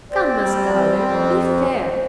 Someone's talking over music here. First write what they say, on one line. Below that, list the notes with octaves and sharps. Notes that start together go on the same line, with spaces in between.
Come, Miss Garland, be fair.
C4 D5
G3
C4
A#4
F2 C5